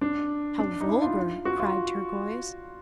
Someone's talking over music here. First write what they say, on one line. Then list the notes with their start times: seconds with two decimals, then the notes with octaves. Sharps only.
"How vulgar!" cried Turquoise.
0.01 D4
0.59 D4
0.81 D#4
0.88 E4
1.02 F4
1.45 F#4
1.60 F4